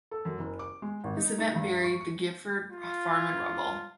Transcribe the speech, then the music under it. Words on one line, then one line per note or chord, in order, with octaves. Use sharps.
This event buried the Gifford farm in rubble.
A4
F#2
F#1
D6
G#3
G#1
D#4
D#4
G2
C#6
C#7
F4